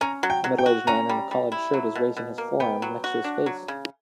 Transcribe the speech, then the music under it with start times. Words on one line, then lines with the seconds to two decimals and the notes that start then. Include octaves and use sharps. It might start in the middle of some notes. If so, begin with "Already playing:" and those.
A middleaged man in a collard shirt is raising his forearms next to his face.
0.01 C#4 A#5
0.23 F#3
0.30 G5
0.44 F#3
0.59 G5
0.66 F#4
0.87 C#4 A#5
1.09 G3
1.31 G3
1.52 E4
1.74 F#3
1.95 B2
2.17 B2
2.38 A#3
2.60 B3 G5
2.82 F#3
3.04 F#4
3.24 D4
3.46 F#3
3.68 C#3